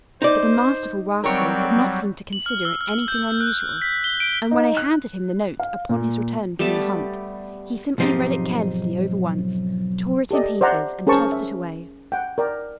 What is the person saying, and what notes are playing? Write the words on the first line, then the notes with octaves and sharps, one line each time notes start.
But the masterful rascal did not seem to consider it anything unusual, and when I handed him the note upon his return from the hunt, he simply read it carelessly over once, tore it in pieces and tossed it away.
D#4 C5 D5
F#3 G3 C4 A#4 C#5
F#7
F6
E6
F6
G6
F#6
B6
G7
D7
D#4
F#6
F5
A#2
G3 A3 B3 A5
B1 G#2 F3 C4 D#4 G4
G4 A4 D5 D#5
C5 D5 E5 F#5 A#5
C#4 G#4 A#4 C5 A5 C#6
E5
F#5 G5
A#4 D5 G5